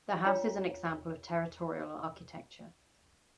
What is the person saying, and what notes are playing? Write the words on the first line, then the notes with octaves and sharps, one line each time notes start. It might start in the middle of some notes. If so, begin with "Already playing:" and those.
The house is an example of Territorial architecture.
D4 F4 C#5 G5 A#5